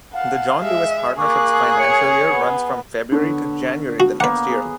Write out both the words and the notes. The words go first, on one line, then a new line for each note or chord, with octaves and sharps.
The John Lewis Partnership's financial year runs from February to January the next year.
F5 F#5 A5
G#3 E5
A#3 G#4 C#6 D6 F#6
C#5 C#7
B3
D3 B3 A4 C#5
F#4
A#3 B3 B4 F#5
B3 G#4